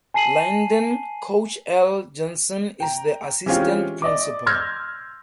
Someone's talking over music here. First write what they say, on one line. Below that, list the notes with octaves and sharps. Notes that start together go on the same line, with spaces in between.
Lyndon "Coach L" Johnson is the Assistant Principal.
G#5 A5 C7 D#7 F#7
G5 A#5
E3 G#3 C4 C#4 F4 G4
D5 D#5 D6
C6 E6 F6 G6 G#6 A#6